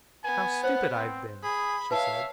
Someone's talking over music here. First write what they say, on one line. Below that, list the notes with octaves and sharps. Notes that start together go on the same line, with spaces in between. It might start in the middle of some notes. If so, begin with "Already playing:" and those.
"How stupid I have been," she said.
B3 G#5
C5 C#5 F#5
C4
G#4 B5
B4 C#5 E5 F5 A5 C#6